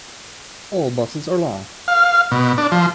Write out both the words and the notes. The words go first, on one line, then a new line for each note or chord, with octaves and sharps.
All buses are long.
F5
B2
D4
F3